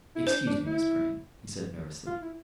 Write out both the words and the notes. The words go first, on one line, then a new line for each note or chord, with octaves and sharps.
"Excuse me, Miss Vrain," he said nervously.
E4
D4 C5
D4
E4
F4
E4